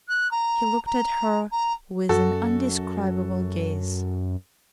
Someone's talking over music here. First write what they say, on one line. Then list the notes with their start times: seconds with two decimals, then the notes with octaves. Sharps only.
He looked at her with an indescribable gaze.
0.09 F#6
0.31 A#5
0.86 A#5
1.52 A#5
2.09 F#2 F#4 A4